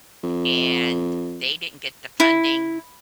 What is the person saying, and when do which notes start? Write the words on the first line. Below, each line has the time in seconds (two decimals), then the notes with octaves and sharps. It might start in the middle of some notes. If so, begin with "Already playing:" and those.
and they didn't get the funding,
0.24 F2
2.20 E4